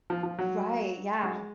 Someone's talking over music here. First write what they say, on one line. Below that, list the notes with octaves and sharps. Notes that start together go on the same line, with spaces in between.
Right, yeah.
F3
F3
F#3
G#3